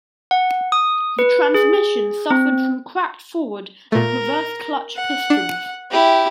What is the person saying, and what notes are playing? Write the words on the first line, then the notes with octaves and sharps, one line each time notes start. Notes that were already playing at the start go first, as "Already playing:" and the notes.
The transmission suffered from cracked forward and reverse clutch pistons.
F#5
D#6
B4
G#4
C4
A#2 A3 A#4
F#5
D4
E4 G4